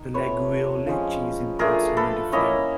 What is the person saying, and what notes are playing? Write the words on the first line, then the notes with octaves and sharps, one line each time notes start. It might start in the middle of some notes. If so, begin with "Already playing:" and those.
The Laguiole cheese imparts a nutty flavour.
Already playing: D#4
A3 C4 F4 B4 C#5
F3 G#3 C#4
A3 D4 F4 G#4 A#4
A4 B4
A#3 C#4 E4 C#5 D#5